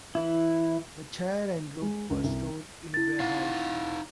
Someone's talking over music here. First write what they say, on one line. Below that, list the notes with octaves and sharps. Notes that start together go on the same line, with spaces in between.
The chair and rope were stored in a ware- house.
E3 E4
G#3
C#2
C2
E4 A6
D#4 F5 F#5